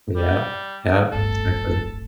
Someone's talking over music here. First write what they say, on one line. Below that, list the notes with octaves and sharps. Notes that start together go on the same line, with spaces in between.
Yeah, yeah, exactly.
G3
D1 G1 A4